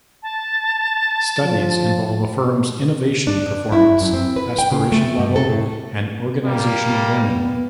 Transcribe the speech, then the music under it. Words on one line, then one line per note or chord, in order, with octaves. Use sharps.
Studies involve a firm's innovation performance, aspiration level, and organizational learning.
A5
F3
D4
E4
F#2
C4
B4
G5
C#3
A3
G2
A4
A2
G3 A#3
B3